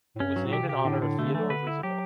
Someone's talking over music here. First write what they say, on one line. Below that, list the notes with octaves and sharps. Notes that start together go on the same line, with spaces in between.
It was named in honor of Theodore Roosevelt.
A2
G2 C#4
F#2
G2 F#3
A2
B2 G4
C#3
G4
B2
A2 D3
D3
B2 A3
C#3
E3 A3
F#3
D3 B4
E4
F#3 G4